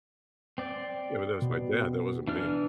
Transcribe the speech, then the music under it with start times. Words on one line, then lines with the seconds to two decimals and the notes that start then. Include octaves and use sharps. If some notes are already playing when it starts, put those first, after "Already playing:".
Yeah, but that was my dad, that wasn't me.
0.58 C4 D5
1.42 B2
2.28 E3 D4 F6